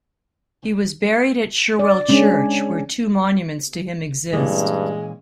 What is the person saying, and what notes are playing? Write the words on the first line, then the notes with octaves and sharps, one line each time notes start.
He was buried at Shirwell Church, where two monuments to him exist.
D5
G#3 C#4 D4
G2 A#2 E3 G#3 C#4